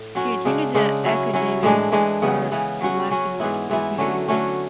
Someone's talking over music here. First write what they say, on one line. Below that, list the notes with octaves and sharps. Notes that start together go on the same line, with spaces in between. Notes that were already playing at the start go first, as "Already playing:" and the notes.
She attended the Akademie vir Dramakuns for two years.
Already playing: A2
F#3 C#4 F#4
C#3 G#3 D4
C#3 G#3 D4
F#3 C#4 E4
F#3 C#4 E4
A2 E3 G#3 D4
A2 E3 G#3 D4
C#3 E3 B3
C#3 E3 B3
F#3 C#4 F#4
F#3 C#4 F#4
G#2 E3 B3 E4
G#2 E3 B3 E4
D3 F#3 A3 C#4
D3 F#3 A3 C#4